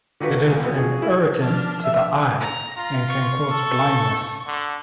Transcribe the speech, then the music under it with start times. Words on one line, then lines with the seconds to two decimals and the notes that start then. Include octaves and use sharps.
It is an irritant to the eyes and can cause blindness.
0.20 D3 D#3 F4 F#4 B4
0.43 D2 A#2 F3 G#3 A3
0.60 C2 B2
0.77 F3 G#3 F#4 G#4
1.00 G#3 E4
1.39 F3 D4 F6
1.84 E5
2.40 A#5
2.77 F4
3.09 C#6
3.50 A4
4.47 D3